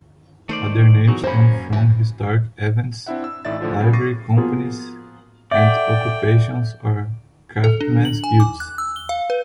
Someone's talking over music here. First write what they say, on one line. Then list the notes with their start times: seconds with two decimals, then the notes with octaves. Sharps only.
Other names come from historic events, livery companies, and occupations or craftsmen's guilds.
0.49 D#3 A3 C5 D5
1.07 B2 E3 F#3 D#4 F#4 G#4
1.24 F#2 A#3 C#4 C5 B5
1.73 F#2 E3
3.06 C4 D4 E4 E5 F#5
3.24 E6
3.45 A1 A2 D#4 D5 E5 A6
3.61 A2 D3 F3 F4
3.80 C#3 G3 B3
3.93 C#6 D6 A6 A#6 C7 D#7
4.37 B2 F3 A#3 B3 F4 G#4
5.51 A4 D5 E5 F#5 G5
7.64 A4
7.81 D4
8.05 F#7
8.24 G#5
8.40 D6
8.60 F#6
8.78 E6
8.96 G7
9.09 F5
9.30 B4